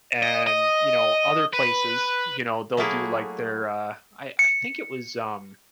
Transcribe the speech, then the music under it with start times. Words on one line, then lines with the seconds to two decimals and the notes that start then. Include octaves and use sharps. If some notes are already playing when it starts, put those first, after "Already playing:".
and, you know, other places, you know, they'll do, like, their, uh, I I think it was, um
0.23 D#5
0.47 D#5
1.53 B4
2.77 F#3 A3 A#3 E4 G#4
4.39 C#7